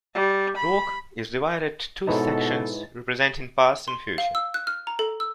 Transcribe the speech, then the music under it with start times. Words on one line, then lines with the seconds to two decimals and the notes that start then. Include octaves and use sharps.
The work is divided two sections representing past and future.
0.14 G3
0.57 B5
2.07 G#2 B2 D#4 E4 A4 B4 C#5 A5
3.88 C6
4.18 F5
4.35 E6
4.54 F#6
4.67 F6
4.87 A#5
4.99 A4
5.20 E6